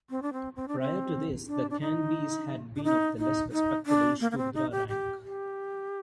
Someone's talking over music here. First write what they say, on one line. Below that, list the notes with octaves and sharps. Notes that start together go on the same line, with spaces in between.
Prior to this, the Kanbis had been of the less respectable Shudra rank.
C4
D4
C4
C4
D4
C4
D4
D4
D#4
D4
D#4
D#4
D#4
D4
A#3
A#3
C4
D#4
G4
G4
G4